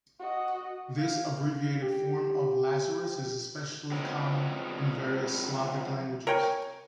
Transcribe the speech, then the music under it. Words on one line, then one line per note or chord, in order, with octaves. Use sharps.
This abbreviated form of Lazarus is especially common in various Slavic languages.
F#4 D#5
F5
G4
F3 F#3 G#3 B3 C4
A#4 C#5 G5 G#5